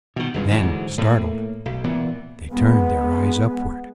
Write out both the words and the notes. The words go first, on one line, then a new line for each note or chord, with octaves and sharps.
Then startled, they turned their eyes upward.
B2 D#3
C#2 G2 C#3 G#3
G#2 D3 E3 F#3
A2 A#3
B1
A#2 E3 B3
G#3 B3